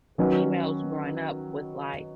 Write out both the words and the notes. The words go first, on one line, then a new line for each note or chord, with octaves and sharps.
females growing up with, like,
D#3 F#3 C#4 B4